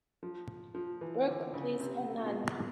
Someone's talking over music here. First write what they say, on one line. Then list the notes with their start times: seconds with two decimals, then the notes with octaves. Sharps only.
Burke plays a nun.
0.23 F3
0.75 F3
1.01 E3
1.28 D3
1.54 C#3
1.80 C3
2.19 A#2
2.26 B2
2.34 A#2